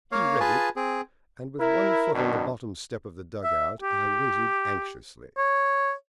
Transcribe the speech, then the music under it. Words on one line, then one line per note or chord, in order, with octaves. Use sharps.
He read it; and with one foot on the bottom step of the dugout I waited anxiously.
A#3 C#5 F5
F4 G#4 B4 G#5 A5
C4 G#4
E4 A#4
F#2 B2 D#3 D4
E5
G4
C#5